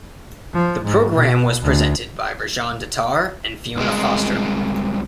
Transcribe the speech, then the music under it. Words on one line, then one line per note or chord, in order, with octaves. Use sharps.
The programme was presented by Rajan Datar and Fiona Foster.
F3
G#2
B2
D2
C2 G#3